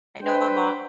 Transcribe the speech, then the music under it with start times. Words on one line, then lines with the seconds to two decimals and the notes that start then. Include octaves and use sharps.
know my mom,
0.23 D4 B4 C5 G5